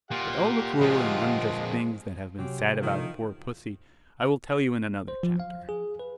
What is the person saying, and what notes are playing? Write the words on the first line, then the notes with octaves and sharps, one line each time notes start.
But all the cruel and unjust things that have been said about poor pussy I will tell you in another chapter.
A#2 G4 F5 F#5
F2 A#2 F3 G#3
C3 F#3 C4 C#4 G4
D3 D#3 F3 A3
C5
F3
F5
G#4
B4